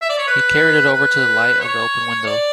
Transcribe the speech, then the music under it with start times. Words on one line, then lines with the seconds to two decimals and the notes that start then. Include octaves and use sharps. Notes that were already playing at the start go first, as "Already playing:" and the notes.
He carried it over to the light of the open window.
0.01 E5
0.09 D5
0.19 C#5
0.28 B4
0.94 B4
1.60 C#5
2.26 D5